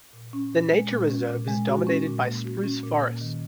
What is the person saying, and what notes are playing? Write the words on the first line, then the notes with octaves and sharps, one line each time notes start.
The nature reserve is dominated by spruce forest.
A#2
C#4
A#2
G#3
A#2
C#4
A#2
G#3
F#4
C#4
A#2
A#3
F#4
C#4
A#2
A#3
D#3